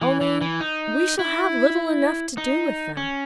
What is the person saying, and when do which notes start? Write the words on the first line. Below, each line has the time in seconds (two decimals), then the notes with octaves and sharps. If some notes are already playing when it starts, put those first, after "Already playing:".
Only we shall have little enough to do with them.'
0.01 E3
0.21 E3
0.41 E3
0.61 D#4
1.19 E4
2.38 D#4
2.97 C#4